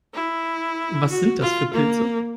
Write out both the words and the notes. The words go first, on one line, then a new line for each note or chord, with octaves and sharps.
Was sind das für Pilze?
E4
F#4
F4
A#3